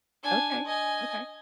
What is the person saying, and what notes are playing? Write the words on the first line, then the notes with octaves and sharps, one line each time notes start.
Okay, okay.
D4 G#5
D#5 G#5